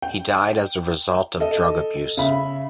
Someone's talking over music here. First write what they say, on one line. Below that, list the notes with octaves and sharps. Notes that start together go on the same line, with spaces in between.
He died as a result of drug abuse.
G5
A4 D#5
C#3 E5 B5